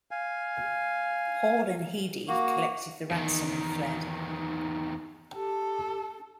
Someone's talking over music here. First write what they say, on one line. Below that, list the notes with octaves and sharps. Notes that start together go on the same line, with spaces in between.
Hall and Heady collected the ransom and fled.
F5 G#5
A#3 F#4
E2 D#3
G4 A4